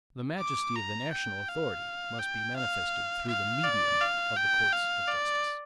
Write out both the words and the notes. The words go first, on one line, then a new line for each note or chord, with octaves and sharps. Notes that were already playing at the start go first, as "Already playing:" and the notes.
The majesty of the national authority must be manifested through the medium of the courts of justice.
D6
A#5
G5
F5
G5
F5
F5
D5
F5
G5
F5
D5